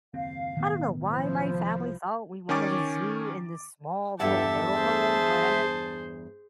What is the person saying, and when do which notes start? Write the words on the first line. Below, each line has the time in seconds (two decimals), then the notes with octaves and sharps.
I don't know why my family thought we wanted a zoo in this small little row home, but I mean,
0.14 F#1 D#2 C4 F5
0.57 B1 A2 D#3 B3
1.08 F3 E4 C5
1.54 C2
2.49 D#3 C#4 G#5 C#6 D6 A6
4.20 E2 G2 G4 A4 E5 F#5 A5
4.72 G#4 C5